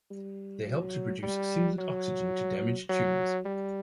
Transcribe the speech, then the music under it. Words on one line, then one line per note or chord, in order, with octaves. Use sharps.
They help to produce singlet oxygen to damage tumours.
G3
F#3
G3
F#3
F#3
G3